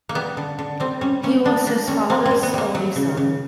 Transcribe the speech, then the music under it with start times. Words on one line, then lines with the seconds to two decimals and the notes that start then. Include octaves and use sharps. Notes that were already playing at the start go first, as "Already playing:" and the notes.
He was his father's only son.
0.09 A#3
0.15 G3 B3
0.37 D3
0.59 D3
0.80 G3 C4
1.01 G3 C#4
1.23 A#3 C#4
1.45 G3 D4
1.67 A#3 D4
1.88 G3 C#4
2.10 A#3 C4
2.26 C4
2.31 G3
2.43 B3
2.54 G3 A#3
2.75 F#3
2.96 C#3
3.17 C#3